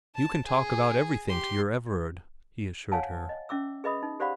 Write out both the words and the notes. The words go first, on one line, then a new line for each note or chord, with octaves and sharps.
'You can talk about everything to your Everard,' he assured her.
A5
G#4
G4 C6
C#5 F5 F#5 G#5 A5
D#5
C#4 E5 D6 E6
G#4 B4 D#5 E5 B5 D#6
D#4
G4 C5 D5 F5 F#5 B5